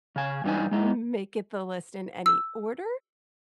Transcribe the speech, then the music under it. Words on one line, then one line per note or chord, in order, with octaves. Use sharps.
m make it the list in any order.
C#3 G#5
G2 E3 D4 D#4 G#5
G#3 D#4 E4
E6